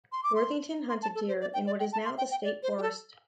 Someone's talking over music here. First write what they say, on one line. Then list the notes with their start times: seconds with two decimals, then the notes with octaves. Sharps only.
Worthington hunted deer in what is now the State Forest.
0.12 C6
0.24 D6
0.35 C6
0.89 C6
1.02 A5
1.15 A4
1.28 C5
1.41 D5
1.54 G5
1.67 D5
1.80 G5
1.93 A5
2.05 C6
2.18 G5
2.31 G5
2.44 D5
2.63 C5
2.78 G4
2.82 A4